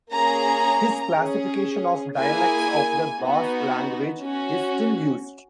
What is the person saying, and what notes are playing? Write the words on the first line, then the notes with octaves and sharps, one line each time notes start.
His classification of dialects of the Basque language is still used.
A#3 C#4 G#4 A#5
C#4 G#4
A#3 E4 G#4 G#5
B3 D#4 F#4
C#4 F#4